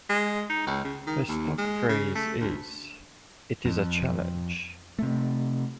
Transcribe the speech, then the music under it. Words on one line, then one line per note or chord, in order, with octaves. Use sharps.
Her stock phrase is It is a challenge.
G#3
D#4
C#2
C#3
D#3
D#2
G#3
C#3
A3
D2
F2
C3 A3